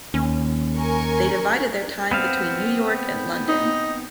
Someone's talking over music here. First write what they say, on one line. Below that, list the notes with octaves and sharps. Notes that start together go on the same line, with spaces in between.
They divided their time between New York and London.
D#2 C#4
A#4 G#5 C#6
B3 C4 F5
D#4